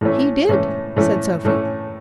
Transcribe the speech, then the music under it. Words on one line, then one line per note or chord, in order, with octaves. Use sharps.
"He did," said Sophy.
A2 E3 A3 C#4
A2 E3 A3 C#4
A2 E3 A3 C#4
A2 E3 A3 C#4